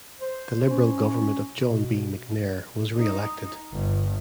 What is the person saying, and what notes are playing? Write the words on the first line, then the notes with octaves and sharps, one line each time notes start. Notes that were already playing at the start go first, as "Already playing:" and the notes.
The Liberal government of John B. McNair was re-elected.
C5
C#4
B2
D#4
G1